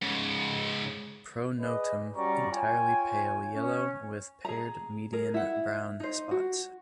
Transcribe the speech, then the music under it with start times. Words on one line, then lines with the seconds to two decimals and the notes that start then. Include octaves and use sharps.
Pronotum entirely pale yellow with paired median brown spots.
0.02 G#2 C#3
1.59 G#4 B4 D5 D#5
2.16 G3 C#4 F#4 D5 A#5 C#6
2.52 F4 C#5 G5 G#5
3.56 C#4
4.45 G#4 A#5
5.13 G#4 A#4
5.34 E4 F#5
6.00 D#4 C5
6.31 F#4